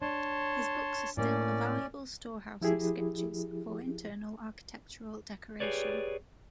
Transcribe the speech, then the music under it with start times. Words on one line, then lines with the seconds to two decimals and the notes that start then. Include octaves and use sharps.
His books are still a valuable store-house of sketches for internal architectural decoration.
0.02 D4 C#5 A5 C6
1.17 A2 A#3 C#4 D5
2.61 F3 E4 G4 G#4
5.60 G4 G#4 B4 C#5 D5